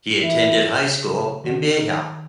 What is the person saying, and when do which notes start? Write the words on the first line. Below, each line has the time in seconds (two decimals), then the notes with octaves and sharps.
He attended high school in Beja.
0.22 E3 E4
0.83 C#3
1.44 D#3 F#4
1.75 D#4